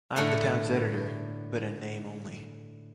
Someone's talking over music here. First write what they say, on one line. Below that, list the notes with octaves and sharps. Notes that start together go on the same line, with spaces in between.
I’m the town’s editor, but in name only.
A2 D3 A3 A#4 F#5 C6